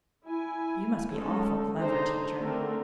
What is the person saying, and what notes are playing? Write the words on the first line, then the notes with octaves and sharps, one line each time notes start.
You must be awful clever, teacher.'
E4 G#5
G#3 A3 C#4 D#4 A4
D3 D4 D#4 G#4 C5 A#5
D3 A3 C4 A#4